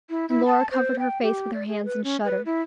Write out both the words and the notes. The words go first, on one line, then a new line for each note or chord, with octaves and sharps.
And Lora covered her face with her hands and shuddered.
E4
E4
A5
C5
G5
G4
D5
G#4
B4
C#4
B4
E4